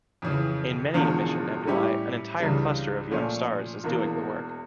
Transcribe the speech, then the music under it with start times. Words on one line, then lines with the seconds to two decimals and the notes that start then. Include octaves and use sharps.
In many emission nebulae, an entire cluster of young stars is doing the work.
0.22 F2 C#3 E3
0.94 E1 E2 D3 F3 C#4
1.67 A2 G3 C#4 E4 G4
2.39 C#2 C#3 E3 G3 D4
3.11 A#2 F3 A3 C#4
3.84 E1 E2 E3 A#3